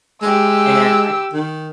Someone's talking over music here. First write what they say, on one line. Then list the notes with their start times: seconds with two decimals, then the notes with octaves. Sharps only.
and I
0.22 G#3 G4 E6
1.34 D#3